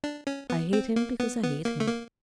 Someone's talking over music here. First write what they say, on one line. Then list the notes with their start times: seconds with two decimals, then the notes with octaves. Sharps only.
I hate him because I hate him.
0.04 D4
0.27 C#4
0.50 B3
0.73 C4
0.96 A#3
1.20 B3
1.43 B3
1.65 A#3
1.80 A3
1.88 A#3